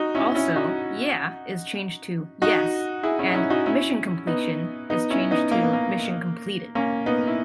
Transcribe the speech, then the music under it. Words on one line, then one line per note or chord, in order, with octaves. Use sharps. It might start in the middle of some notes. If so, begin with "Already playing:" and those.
Also 'Yeah' is changed to 'Yes' and 'Mission Completion' is changed to 'Mission Completed'.
Already playing: D#4 F#4
C#4 E4
C#4 E4
D#4 F#4
D#4 F#4
E4 G#4
C#4 E4
D#4
C#4 E4
D#4 F#4
C#4 E4
B3 D#4
B3 D#4
C#4 E4
B3 D#4
A#3
B3
A#3
A#3 C#4
B3 D#4
E4